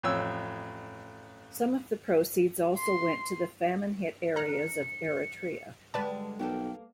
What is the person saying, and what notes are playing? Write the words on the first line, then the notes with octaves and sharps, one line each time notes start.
Some of the proceeds also went to the famine hit areas of Eritrea.
A1 F2 C#5 E6
C6
E2 D4 A#5 F6 F#6 C#7
D3 G3 G#3 B4 D5 A5
B1 A#3 B3 A4 G5